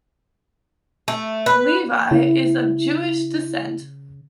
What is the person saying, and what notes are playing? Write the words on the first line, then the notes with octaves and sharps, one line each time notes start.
Levi is of Jewish descent.
A3
B4
C#3 E4